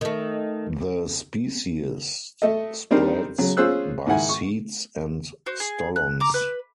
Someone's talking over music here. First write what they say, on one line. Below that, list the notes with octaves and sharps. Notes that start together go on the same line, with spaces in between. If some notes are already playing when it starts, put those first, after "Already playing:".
The species spreads by seeds and stolons.
D#3 A3
A3 A4 D#5
G3 C4 D4 D#4 A#4 C5
C#3 F#3
C#4 F4 G#4 C5 E6 F#6
G#2 D#3 E4 F#5 G#5
C#6
F#4 C5
G#4
F#6
A#5 D6
B4